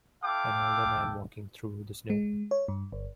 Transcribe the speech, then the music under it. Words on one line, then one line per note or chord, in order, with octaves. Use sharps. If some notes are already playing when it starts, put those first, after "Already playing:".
An older man walking through the snow.
E4 A4 F5 G5 D6
G#3
C#5
G2
G1